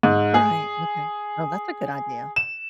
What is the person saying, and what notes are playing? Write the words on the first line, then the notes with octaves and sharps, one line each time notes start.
Right, okay. Well, that's a good idea.
G#2
G#4
E7